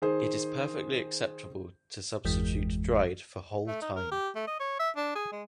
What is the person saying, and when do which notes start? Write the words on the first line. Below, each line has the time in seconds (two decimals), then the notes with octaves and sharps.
It is perfectly acceptable to substitute dried for whole thyme.
0.02 D#3 G#4 C5
2.25 G1 E2 E3 G#3
3.67 A3
3.81 D#4
3.95 A#4
4.11 G4
4.35 A3
4.47 D#5
4.60 C#5
4.79 E5
4.96 D4
5.15 G#4
5.32 G#3